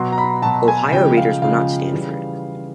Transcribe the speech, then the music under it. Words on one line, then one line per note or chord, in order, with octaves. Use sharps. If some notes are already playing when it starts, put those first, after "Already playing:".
Ohio readers would not stand for it.
Already playing: B2 F#3 C6
A#5
B5
B2 F#3 A5
G#5
C#3 F3 G#3 G5
F5
C#3 F3 G#3 F5
C#3 E3 G3